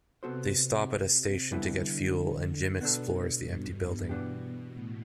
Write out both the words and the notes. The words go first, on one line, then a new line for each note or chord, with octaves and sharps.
They stop at a station to get fuel and Jim explores the empty building.
C3 B3 F#4 A4 C5
D3 G3 B3 E4
D3
B2 B3 D4 A4
G2
B2 E3 B3 D4 G4
A2